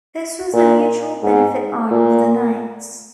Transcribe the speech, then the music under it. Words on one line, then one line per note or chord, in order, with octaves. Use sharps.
This was the mutual benefit arm of the Knights.
A#2
G#2
A#2